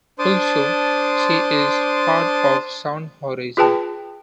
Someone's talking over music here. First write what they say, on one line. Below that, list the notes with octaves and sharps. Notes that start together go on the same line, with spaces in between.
Also, she is part of Sound Horizon.
D4 C5 A5 C6 D6 D#6
F4 G#4 B4 G5 A5